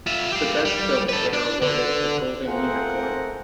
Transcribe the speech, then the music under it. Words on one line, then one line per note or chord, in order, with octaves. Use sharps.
The best films are awarded the "Golden Unicorn".
F4 E5
G4 F5
G3
A4 B4
D4
D3
A3 C4 F4 G#4 A#4 F#5